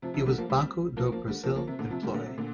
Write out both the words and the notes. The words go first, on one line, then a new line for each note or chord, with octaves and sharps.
He was Banco do Brasil employee.
C3 F3
C3 F3
D3 G3
F3 A#3
G3 C4
F3 A#3
F3 A#3
D3 G3
F3 A#3
F3 A#3
C3
A#2 D3
C3 F3
D3 G3
A#2 D3
C3
A#2 D3